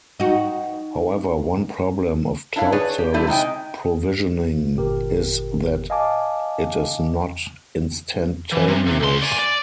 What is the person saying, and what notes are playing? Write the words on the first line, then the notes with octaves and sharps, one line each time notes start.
However one problem of cloud service provisioning is that it is not instantaneous.
D#4 F#4
D4 E4 C#5 F5
G#4 B4 C#5 D5
G4
F#3 G3 A3 C4 E4
C3 G#3 D#4 G5
G1 A#2 G4 A#4
D#5 F5 G#5 A5 D6
E3
C3
C3
C2 C6
D5 G#5
D5